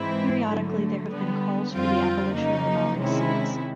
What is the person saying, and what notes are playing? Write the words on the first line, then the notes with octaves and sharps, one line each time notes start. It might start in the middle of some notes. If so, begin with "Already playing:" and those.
Periodically there have been calls for the abolition of the Maori seats.
Already playing: G#2 E3 G#3 C4 E4
D3 F#3 A3
D3 G3 B3
F2 D3 G3 C4 F4
C#3 F#3 A#3 D#4
C3 D#3 G#3 C#4 E4